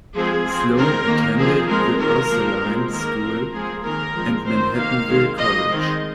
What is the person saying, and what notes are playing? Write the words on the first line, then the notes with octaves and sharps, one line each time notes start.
Sloan attended The Ursuline School and Manhattanville College.
F3 G#3 C4 G#4
F3 C4
D#3 C4 A#4
D#3 A#3
F3 C4 G#4
F3 G#3 C4 A#4
D#3 A#3 A#4
F3 A#3
F3 G#3 C4
D#3 A#3 A#4
F3 C4
F3 G#3 C4 G#4
D#3 A#3 A#4
F3 G#3 C4
D#3 C4 C5
D#3 A#3 F5
D#3 G#3 C4
F3 A#3 D#5
D#3 G#3 C4